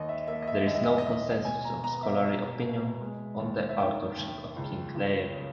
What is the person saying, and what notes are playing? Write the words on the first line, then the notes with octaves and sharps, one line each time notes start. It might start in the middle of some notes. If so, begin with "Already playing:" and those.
There is no consensus of scholarly opinion on the authorship of "King Leir".
Already playing: D#2 D#5
E5
A#3 E5
D#5
E5
D#2 D#5
E5
D#5
D#5
D#2 E5
B2 G#5
A#5
B3 A#5
E5
B2
B2
G#3
D#2
E5
D#3 G5
D#2
C#2
C#2
C#3